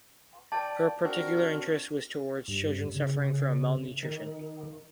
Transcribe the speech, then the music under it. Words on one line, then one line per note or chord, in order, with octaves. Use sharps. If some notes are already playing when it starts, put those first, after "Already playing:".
Her particular interest was towards children suffering from malnutrition.
D5 G5 A5
C4 D4 F#4 A#4
G2
C#3
D#3